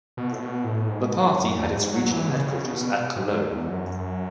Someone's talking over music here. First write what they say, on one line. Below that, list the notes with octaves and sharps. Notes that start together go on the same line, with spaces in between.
The party had its regional headquarters at Cologne.
B2
A2
B2
A2
G#2
F#2
E2
G#2
F#3
E3
C#3
C#3
B2
B2
G#2
G#2
E2
F#2